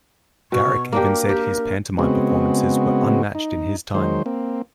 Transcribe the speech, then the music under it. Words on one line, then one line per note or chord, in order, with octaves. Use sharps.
Garrick even said his pantomime performances were unmatched in his time.
B2 C#6
A#3 D4 G4 A#4
G4
C#3 G#3 B3 C4 F#4
D#4
D#3 F#3 G#3 C5
A#3 C4